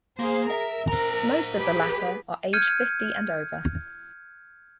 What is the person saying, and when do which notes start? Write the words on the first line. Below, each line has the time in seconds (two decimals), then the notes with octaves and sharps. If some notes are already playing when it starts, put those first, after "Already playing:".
Most of the latter are age fifty and over.
0.19 A#3 G#4 C5
0.50 A#4 E5
0.88 A#4 C5 A#5
1.57 G4 G#4 B4
2.53 F6 G6 G#6 C#7 D#7